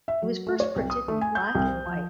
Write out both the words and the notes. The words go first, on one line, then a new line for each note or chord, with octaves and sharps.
It was first printed in black and white.
E5
F#3
A3
C#5
C2
D#6
A3
G#5
G6
C2
C5
F3